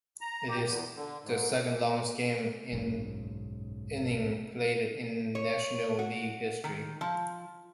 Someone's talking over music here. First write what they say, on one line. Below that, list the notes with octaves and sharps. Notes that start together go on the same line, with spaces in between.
It is the second longest game in innings played in National League history.
A#5
G4
E2
D3
G#2
F#1 B1 G#2 C#3
C#5
F#4
D#3
F3